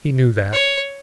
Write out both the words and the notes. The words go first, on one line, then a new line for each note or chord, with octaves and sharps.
He knew that.
C#5